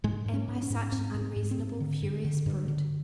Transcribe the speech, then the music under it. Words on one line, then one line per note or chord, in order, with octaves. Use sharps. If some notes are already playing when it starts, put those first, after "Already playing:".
Am I such an unreasonable, furious brute?
G#2 G#3
G#2
C#4
G#2
C#4
G#2
G#2 C4
G#2
C4
G#2
C4
G#2
D3
G2
D3
G2
D3